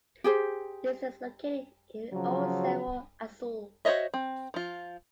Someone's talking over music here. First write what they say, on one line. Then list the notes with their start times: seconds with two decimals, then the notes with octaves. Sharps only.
This is located in old Cerro Azul.
0.24 G4 G#4 C5
2.12 C#3 F3 F#3
3.85 F#4 C5 C#5 D#5 E5
4.14 C4
4.54 F3 F4